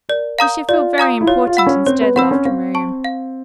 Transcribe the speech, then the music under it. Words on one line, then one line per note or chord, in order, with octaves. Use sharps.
"We shall feel very important instead," laughed Miriam.
A#4 D5
F5 A#5 D#6 G6
F4 D5
F5 A#5 D#6 G6
E4
F4 C#5
F4
F#5 B5 E6
C#4
C4 C#5
B3
C4 F#5 B5 E6
C#4
C4 F5
A5 C#6
F5